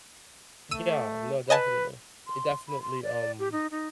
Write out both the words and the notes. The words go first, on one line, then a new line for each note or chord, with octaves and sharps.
Yeah, no, definitely. It definitely, um
A3 E6 D#7
B4 D#5 G#5 A5
C6
B5
C6
D5
G4
D#4
D#4